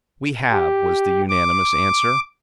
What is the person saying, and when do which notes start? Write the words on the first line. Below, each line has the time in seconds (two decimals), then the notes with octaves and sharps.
"We have," was the unanimous answer.
0.51 G4
1.29 D6